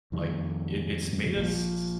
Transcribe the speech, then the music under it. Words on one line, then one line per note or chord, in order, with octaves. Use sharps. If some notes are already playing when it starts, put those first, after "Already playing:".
like, it it's made us s
F2 D#3 G3
A#1 A#2 F3